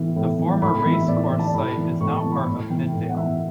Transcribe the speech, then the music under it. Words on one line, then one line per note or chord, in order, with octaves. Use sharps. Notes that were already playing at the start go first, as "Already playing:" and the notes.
The former racecourse site is now part of Midvale.
Already playing: A2 E3
A2
E3
A2 B5
B5
E3
E5
A2 D5
D5
E3
A5
A2 B5
E3
A2 C#6
A5
E3
B5
A2
E3 G5
A2
F#5
E3 E5